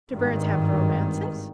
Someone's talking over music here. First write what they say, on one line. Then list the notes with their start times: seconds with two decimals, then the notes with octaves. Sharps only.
Do birds have romances?
0.12 G#1 G2 D#3